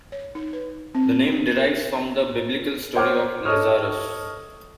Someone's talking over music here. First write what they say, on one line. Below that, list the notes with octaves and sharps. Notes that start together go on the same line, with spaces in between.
The name derives from the Biblical story of Lazarus.
C#5
D#4
B4
C4
D#4
A#4
C5 C#5 F#5 D6 F6
A4 C#5 D#5 C#6 D#6 F6